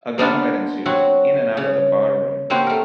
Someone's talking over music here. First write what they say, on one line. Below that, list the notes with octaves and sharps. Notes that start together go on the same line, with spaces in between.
A gunfight ensues, in and out of the barroom.
A#3 B3 D4 F4
F#3 C4 F#4
C#3
A#3 C4 F#4 G4 C5
A3 A#4